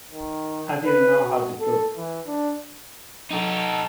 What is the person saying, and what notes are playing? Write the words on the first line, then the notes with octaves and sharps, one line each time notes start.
I didn't know how to cook.
D#3
B4
F#4
A4
E3
D4
D#4 A4